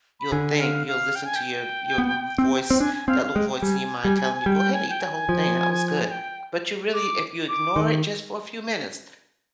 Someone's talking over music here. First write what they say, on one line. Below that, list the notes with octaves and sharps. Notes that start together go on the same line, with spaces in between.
you'll think you'll listen to your your m voice, that little voice in your mind telling you, "Go ahead eat the whole thing. That was good." But you really if you ignore it just for a few minutes,
B5
D3 G#5
F5
F5
G5
G#5
G5
B3
C4
C4
D4 G#5
C4 F5
G#3 G5
G5
G3 G#5
G3
G3 G5
G#5
G5
G#5
F3
G5
D6
D6
D#3